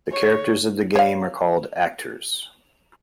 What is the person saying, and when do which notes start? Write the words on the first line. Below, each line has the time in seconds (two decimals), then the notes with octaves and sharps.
The characters of the game are called "actors".
0.11 C#5
0.96 C#5 F5